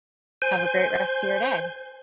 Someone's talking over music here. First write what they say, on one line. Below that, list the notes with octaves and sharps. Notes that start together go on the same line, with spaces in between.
have a great rest a your day.
C5 G#5 G6